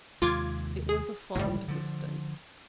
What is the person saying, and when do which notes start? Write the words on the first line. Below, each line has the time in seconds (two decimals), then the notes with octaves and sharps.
It was a fond mistake.
0.22 D#2 C3 G#3 F4 D6 G#6
0.89 G#4
1.35 G1 C#2 A2 G3
1.68 D3 F3